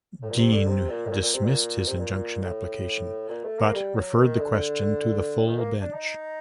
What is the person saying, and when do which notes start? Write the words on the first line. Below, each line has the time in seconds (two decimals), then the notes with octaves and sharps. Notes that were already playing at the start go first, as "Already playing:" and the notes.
Deane dismissed his injunction application, but referred the question to the full bench.
0.22 A2
0.29 A#2
0.38 C3
0.53 D3
0.67 C3
0.89 A#2
1.06 A2
1.11 A#2
1.22 A#2
1.33 C3
1.44 A#2
1.87 C3
1.98 A#2
2.42 A2
3.29 A#2
3.44 A3
3.59 A#3
3.73 G3
3.95 F#3
4.16 D#3
4.39 D3
5.47 D#3
5.59 A#3
5.81 D4
5.92 D#4